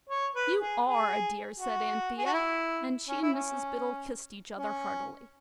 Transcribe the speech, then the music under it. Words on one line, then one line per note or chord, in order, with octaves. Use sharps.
'You ARE a dear,' said Anthea, and she and Mrs Biddle kissed each other heartily.
C#5
B4
G#4
G#4
F#4
G#4
F#4
E4
C#4
E4
C#4
C#4